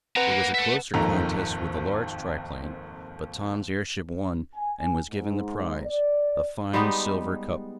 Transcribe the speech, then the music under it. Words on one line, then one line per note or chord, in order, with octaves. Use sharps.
It was a closer contest with the large triplane, but Tom's airship won, and was given the prize, a fine silver cup.
C4 B4 F#5 A#5
A#3 A#4
A4 E5
D#1 G#1 F2 D#3 A4 A#5
G#5
G#2
D5
G3 G#3 B3 D#4